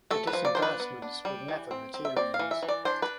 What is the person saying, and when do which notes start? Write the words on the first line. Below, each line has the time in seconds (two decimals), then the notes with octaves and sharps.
The disbursements would never materialise.
0.10 A3 A4
0.27 B4
0.33 F3
0.45 D5
0.55 D4 C5
0.62 B4
0.80 B3
1.02 D4
1.25 G3
1.48 E3
1.71 C4
1.94 C4
2.05 E5
2.17 C4 D5
2.34 F5
2.39 E3
2.51 E5
2.63 E3
2.68 D5
2.85 D4 C5
3.02 B4